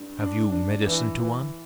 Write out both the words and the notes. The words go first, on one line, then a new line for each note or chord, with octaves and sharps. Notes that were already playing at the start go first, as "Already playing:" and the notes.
"Have you medicine, Tuan?"
Already playing: G2
D4
D4
E3
E3